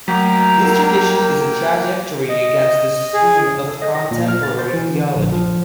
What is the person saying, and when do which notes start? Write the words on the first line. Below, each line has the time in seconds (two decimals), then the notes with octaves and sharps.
This tradition is a trajectory against the stream of contemporary theology.
0.08 F#3 A3 A#3 G5 A#5 B6
0.63 D#4 A#4
2.29 D#5
3.14 G#4
3.68 A4
3.82 D#5
3.95 A#6
4.11 A#2
4.28 F6
4.43 A6
4.59 C5
4.73 E3
4.95 D3
5.16 A#1
5.32 F3